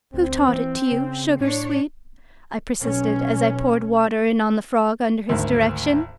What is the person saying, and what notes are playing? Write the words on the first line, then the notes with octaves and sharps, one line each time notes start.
"Who taught it to you, sugar-sweet?" I persisted as I poured water in on the frog under his direction.
D2 C4
E3
C#3
A2 D4 C#5
B1 C#4
G#1 D2